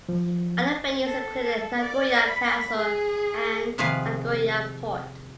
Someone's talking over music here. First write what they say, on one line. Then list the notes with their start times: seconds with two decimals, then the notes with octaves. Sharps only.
Other venues included Nagoya Castle and Nagoya Port.
0.09 F3
1.06 A4
1.80 D5
2.27 B5
2.76 G#4
3.78 C3 D#3 F3 G#4 B4 F5